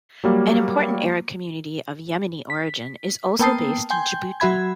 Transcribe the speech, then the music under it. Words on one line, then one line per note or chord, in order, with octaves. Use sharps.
An important Arab community of Yemeni origin, is also based in Djibouti.
F#3 G3 A#3
B6
A#3 B3 G5 A5 D#6 C7
G5 G#5 C6 G6
F#3 F#4 E5 B5 G#6